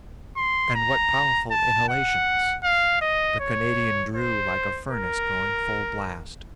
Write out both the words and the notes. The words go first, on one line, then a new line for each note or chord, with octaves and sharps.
And what powerful inhalations! The Canadian "drew" like a furnace going full blast.
C6
A#5
A5
F#5
F5
D#5
C#5
C5
A#4